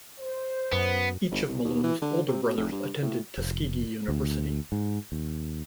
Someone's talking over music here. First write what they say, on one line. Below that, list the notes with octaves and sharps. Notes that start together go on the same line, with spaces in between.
Each of Malone's older brothers attended Tuskegee University.
C5
F#2 B3
G1
C2
D#2
E3
D3
C3
B2
F1
G2
A2
F1
D2
G#2
D#2